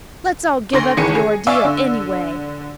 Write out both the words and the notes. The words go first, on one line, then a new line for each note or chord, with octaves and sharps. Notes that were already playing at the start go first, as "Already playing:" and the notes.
Let's all give up the Ordeal, anyway.
D2 C6 A#6
F#1 D#3 E3 G#4 C#7 D#7
G#4
D5 E5 F5 G#5 C#6 E6
D3